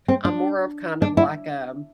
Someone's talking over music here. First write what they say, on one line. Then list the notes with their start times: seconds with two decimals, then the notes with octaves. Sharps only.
I'm more of kind of like, um,
0.08 C4
0.25 D4
1.02 D4
1.17 E4